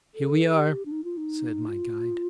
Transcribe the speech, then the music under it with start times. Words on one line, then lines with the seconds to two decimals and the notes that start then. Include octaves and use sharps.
"Here we are," said my guide.
0.15 A4
0.53 G4
0.85 D4
0.92 D#4
1.04 F4
1.17 D#4
1.68 F4